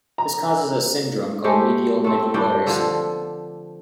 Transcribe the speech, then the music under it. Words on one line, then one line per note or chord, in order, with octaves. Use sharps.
This causes a syndrome called medial medullary syndrome.
A#5
G#3 A3 G4
A3 C4
G2 G3 D4 G5
D3 F3